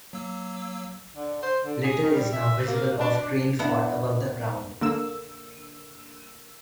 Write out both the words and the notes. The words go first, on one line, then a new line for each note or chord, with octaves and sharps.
Little is now visible of Grain Fort above the ground.
F#3 A#3 E6
D3
C5
D3
G#4
D#3
G3
E5
A#3
D4
D4
B3 D4 E4 B4
D3 A#3 E6